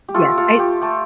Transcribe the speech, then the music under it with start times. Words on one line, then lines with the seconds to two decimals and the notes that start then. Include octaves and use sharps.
Yes, I
0.09 G4
0.14 A3 F4 A4
0.38 F4 A4
0.48 F4
0.59 G4
0.81 A3 G4